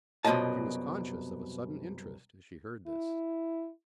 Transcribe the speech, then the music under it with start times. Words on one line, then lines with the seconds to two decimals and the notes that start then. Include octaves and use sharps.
She was conscious of a sudden interest as she heard this.
0.25 C2 F#2 B2 F4 D#5 A5
2.87 E4